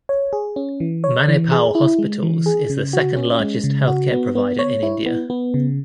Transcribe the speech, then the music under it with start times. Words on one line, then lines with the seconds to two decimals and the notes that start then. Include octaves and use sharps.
Manipal Hospitals is the second largest healthcare provider in India.
0.09 C#5
0.33 G#4
0.56 C#4
0.80 E3
1.04 C#5
1.28 E3
1.52 G#4
1.75 E4
1.99 G#3
2.23 E3
2.46 G#4
2.70 C#3
2.93 F#4
3.17 C#4
3.40 G#3
3.64 C#3
3.87 F#4
4.12 B3
4.35 B3
4.59 C#5
4.83 E4
5.06 B3
5.30 B3
5.54 C#3